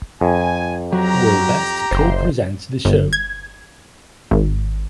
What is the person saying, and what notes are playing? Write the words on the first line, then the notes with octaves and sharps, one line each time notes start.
Will Best co-presents the show.
F2 G#5
F#3 G4 A#5
F#1 C5
G1
G#6
G#1